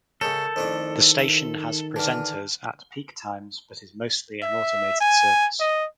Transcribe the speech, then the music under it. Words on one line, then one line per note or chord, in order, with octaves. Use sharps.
The station has presenters at peak times but is mostly an automated service.
C#3 G#3 A4 A#4 C#5 G6 C#7
F2 D#3 A3 D4 E4 C5
E5
D3 E3 A5 F6
E5
G#5
D#5